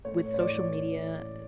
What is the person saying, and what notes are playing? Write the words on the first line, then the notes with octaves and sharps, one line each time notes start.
with social media, eh,
A2 C#5
C#5
E3 D5